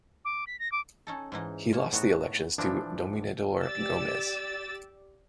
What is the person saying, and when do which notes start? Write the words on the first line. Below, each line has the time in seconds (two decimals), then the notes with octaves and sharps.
He lost the elections to Dominador Gomez.
0.25 D6
0.47 B6
0.59 A#6
0.72 D6
1.07 C#4 D#4 A4
1.32 G#2 E3 D#4
1.73 A#2
1.93 A2 B3 D#4 F#4
2.58 A#2 E3 F3 D4 A#5
3.62 G4 D5 E6 A6